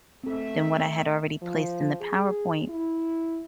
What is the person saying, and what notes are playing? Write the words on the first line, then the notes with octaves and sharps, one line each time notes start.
than what I had already placed in the PowerPoint,
A3 C4 A4 E5
F3
G#4
E4